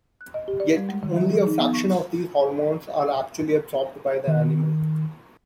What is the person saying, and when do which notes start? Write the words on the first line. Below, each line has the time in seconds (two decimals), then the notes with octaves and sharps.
Yet, only a fraction of these hormones are actually absorbed by the animal.
0.21 F#6
0.34 D#5
0.48 G4
0.60 D5
0.77 G3
0.89 G#3
1.03 D#3
1.16 F3
1.30 G#4
1.47 D#4
1.59 B3
1.73 C#6
4.28 D#3